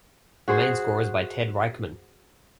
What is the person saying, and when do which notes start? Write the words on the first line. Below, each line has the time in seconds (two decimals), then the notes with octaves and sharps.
The main score is by Ted Reichman.
0.48 F#4 G#4 C5